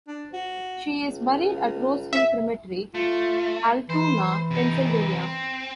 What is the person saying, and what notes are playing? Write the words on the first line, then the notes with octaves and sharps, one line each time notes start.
She is buried at Rose Hill Cemetery, Altoona, Pennsylvania.
D4
F#4
C#2
E5
A3 F4
E3 C5
C3 D#4
C4